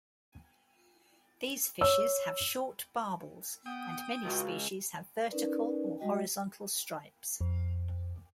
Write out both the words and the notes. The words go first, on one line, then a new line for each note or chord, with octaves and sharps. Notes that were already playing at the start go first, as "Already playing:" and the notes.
These fishes have short barbels and many species having vertical or horizontal stripes.
C#5 E6
B3 G5 D#6
C#2 F#4
C#4 D#4 A#4 B4 D5
G3 G#3 F#4 D#5 G5
F2